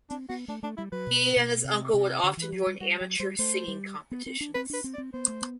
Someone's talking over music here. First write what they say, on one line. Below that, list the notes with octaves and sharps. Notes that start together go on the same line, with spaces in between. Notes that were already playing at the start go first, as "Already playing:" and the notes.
He and his uncle would often join amateur singing competitions.
C4 D4
B3 F#4
A3 D4
A3 D4
G3 E4
F#3 B4
B2
B2
C3
C3
D5
D3 C5
E3
B4
F#3
G4
G3
G3 F#4
F#3 G4
G3 C5
A3 C5
G3
B3
C4
D4
C4 B4
D4 B4
C4
D5
C4
B3 C5
A3
B3